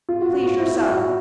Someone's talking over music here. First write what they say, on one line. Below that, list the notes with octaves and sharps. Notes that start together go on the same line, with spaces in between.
Please yourself.
F4
F#4
F#4
F4
E4
E4
F#4